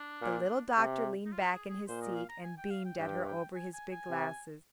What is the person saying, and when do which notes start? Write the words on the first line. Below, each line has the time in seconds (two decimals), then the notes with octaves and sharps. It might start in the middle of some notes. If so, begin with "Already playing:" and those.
The little doctor leaned back in his seat, and beamed at her over his big glasses.
Already playing: D4
0.22 A#2
0.77 C3
1.26 D#4
1.32 F4
1.50 G#4
1.69 G#4
1.88 A#2 C5
2.02 D#5
2.15 F5
2.29 A#5
2.43 G#5
2.57 G5
2.70 F5
2.85 G5
2.98 G2 G5
3.27 G5
3.55 G#5
3.73 G#5
3.91 G#5
4.10 C3